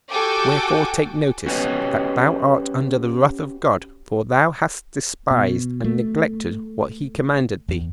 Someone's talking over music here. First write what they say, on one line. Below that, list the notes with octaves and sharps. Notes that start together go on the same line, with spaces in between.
Wherefore take notice, that thou art under the wrath of God, for thou hast despised and neglected what he commanded thee.
F#4 G4 A4 G5 G#5 D6
C#4 F#4 G4 B4 C#5 D#5
B2
A3
E2